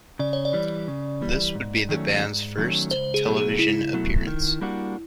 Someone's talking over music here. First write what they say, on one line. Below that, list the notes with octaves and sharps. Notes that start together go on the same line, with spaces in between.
This would be the band's first television appearance.
C#3 D5
C#5
D5
E3 G3
C#3
E3 G3
G#2
D#3 F#3 A3 C#4
G#2
D#3 F#3 A3 C#4
C#2 C5
G#4
B2 F#3 A3
G#4
C#2 E4
B2 F#3 A3
D#3
G3 A#3 D4 F#4